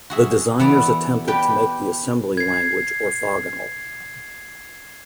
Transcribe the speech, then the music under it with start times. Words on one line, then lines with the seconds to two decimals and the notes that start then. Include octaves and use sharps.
The designers attempted to make the assembly language orthogonal.
0.10 F#4 G#4 E5
0.59 E3 B3 D5
1.27 G4 B4 D5 G5
2.37 G#6 C7